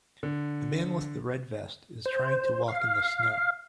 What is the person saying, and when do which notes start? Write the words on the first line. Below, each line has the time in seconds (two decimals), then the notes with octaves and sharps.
The man with the red vest is trying to walk in the snow.
0.23 D3
2.06 C5
2.68 F5